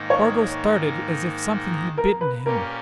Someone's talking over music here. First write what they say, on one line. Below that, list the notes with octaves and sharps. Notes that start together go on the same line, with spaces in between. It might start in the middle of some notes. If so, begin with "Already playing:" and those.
Spargo started as if something had bitten him.
Already playing: G#2 D#3 A#3 D#4
C#5
A#4
B4
A#2 A#3 C#4 G4 A#4